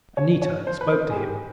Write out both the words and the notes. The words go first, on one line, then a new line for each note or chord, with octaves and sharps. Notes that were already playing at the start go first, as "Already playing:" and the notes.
Anita spoke to him.
C#5
C#5
C5
B4
C5
G#4
G4